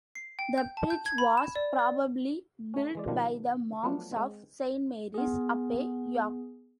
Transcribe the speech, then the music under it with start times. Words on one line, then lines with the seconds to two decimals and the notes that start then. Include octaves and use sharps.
The bridge was probably built by the monks of Saint Mary's Abbey, York.
0.15 C7
0.39 G5
0.58 G6
0.77 A5
0.90 G6
1.06 G#6
1.18 B5
1.37 E7
1.55 D5
1.79 D5
2.74 A3 C#4
2.95 E3 G#3 D5
3.08 B2 D#3 F3 G3 D4 F4
3.83 F3 F#3 A3 B3 D4 F4
4.12 G#3 C4
5.14 B3 G#4